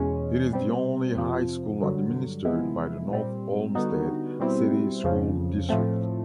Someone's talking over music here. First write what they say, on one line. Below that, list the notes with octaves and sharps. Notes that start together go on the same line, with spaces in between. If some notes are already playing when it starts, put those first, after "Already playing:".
It is the only high school administered by the North Olmsted City School District.
Already playing: E2 B2 G#3 C#4
B2 G3 C4
F2 C3 F3
G2 D3 F#3
C3 F3 G#3 B3 E4
A#2 G3 C4
D3 G3 B3 D#4 F#4
B2 G3 C4 E4
F2 C#3 F3
A2 F3 A3 C4